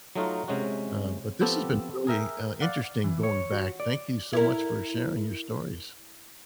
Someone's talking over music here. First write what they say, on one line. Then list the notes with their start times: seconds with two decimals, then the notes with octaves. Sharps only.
uh, but this has been really, uh, interesting going back, thank you so much for sharing your stories.
0.16 F#3 A3 D#4 F4 F#4
0.48 C3 G#3 C#4 F#4
1.41 F3 B3 C4 G4 A4
2.07 G#4 A#4 E5 G5
2.61 D5 F5 F#5
3.04 E3
3.23 C#5
3.52 F#4
3.80 D5
4.33 E4 A#4